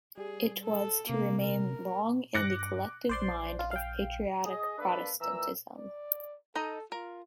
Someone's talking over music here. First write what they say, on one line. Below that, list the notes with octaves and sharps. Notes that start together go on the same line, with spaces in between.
It was to remain long in the collective mind of patriotic Protestantism.
G3 G#4
A4
C3 A#3
A#4
G2 D6 F#6 A#6 C#7
A#1 C5 D5 C6
F4
F5 G5
G#4 D#5
A#3 D4 A4 B4
A#2 E3 A#5 E6
D5
D#4 A4 D#5 A#5
F4 A#4